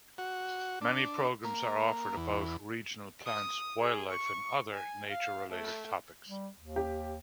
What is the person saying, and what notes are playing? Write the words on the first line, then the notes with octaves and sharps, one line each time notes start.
Many programs are offered about regional plants, wildlife, and other nature related topics.
F#4
D4
A#3
E2
D#6
G#4
C#6
G#5
F5
A3
G3
D#2
G4